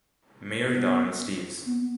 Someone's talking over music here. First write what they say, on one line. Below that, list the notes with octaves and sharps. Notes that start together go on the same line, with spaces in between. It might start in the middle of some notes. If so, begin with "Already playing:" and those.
Mayor Donald Steeves.
B3
B3
B3